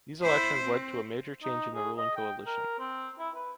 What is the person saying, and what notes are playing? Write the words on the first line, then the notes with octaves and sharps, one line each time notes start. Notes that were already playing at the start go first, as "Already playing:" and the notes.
These elections led to a major change in the ruling coalition.
E4 C5
C4
D#4
G#4
D#5
G5
A#4
C4
E4
B4